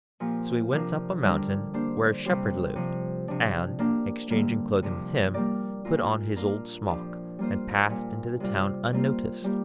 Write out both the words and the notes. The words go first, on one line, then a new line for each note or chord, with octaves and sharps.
So he went up a mountain, where a Shepherd lived, and, exchanging clothing with him, put on his old smock, and passed into the town unnoticed.
A#2 F3 A#3 G4
C3 F3 D4 F4 A#4
D3 G3 D4 A#4 D5
A#3 D4 G4 C5
C3 G3 C4 G4 C5
C3 F3 C4
C3 F3 D4
A#3 D4 G4
D3 G3 A#3
C3 F3 D4
G3 A#3 G4 A#4 D5
A#2 A#3 F4 A#4
A#3 D4 F4 A#4
F3 D4 G4 D5
G3 A#3 F4 C5
A#2 G3 D4
C3 G3 C4 F4 D5
G3 A#3 F4 C5
G3 A#3 G4